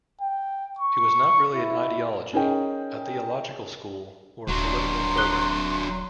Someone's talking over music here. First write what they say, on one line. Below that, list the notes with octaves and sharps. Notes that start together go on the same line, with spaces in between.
It was not really an ideology, a theological school, or a political programme.
G5
C#6
E4
C#4 D#4 G#4 A#4 G5
D#1 F#3 D4 C6
F#6 G7